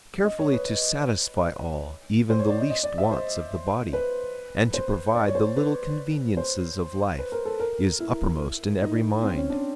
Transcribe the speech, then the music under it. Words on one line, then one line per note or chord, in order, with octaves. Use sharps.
Carefully to satisfy all, even the least wants of the body, and to provide the little conveniences of life, is uppermost in every mind.
D#5
C#5
B4
C5
C#5
D5
D#5
D#5
D5
E5
C5
B4
C5
D5
C#5
C5
B4
C5
B4
A#4
A4
A#4
E4
D#4
D#4
C4
C#4
D4